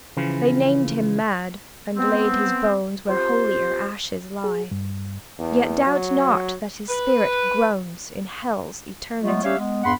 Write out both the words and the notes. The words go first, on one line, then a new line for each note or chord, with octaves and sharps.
They named him mad, and laid his bones Where holier ashes lie; Yet doubt not that his spirit groans In hell's eternity.
C#3 E3 F3
B3 C4
C4 F4 G4 C5
G#4
G2
E2
F#3
B4
F#3 G#3 A3 B3 F4
G3 C#4 G4 C#5 E5 F5
G#3 B3
E2 G2 B3 F#5 B5 C6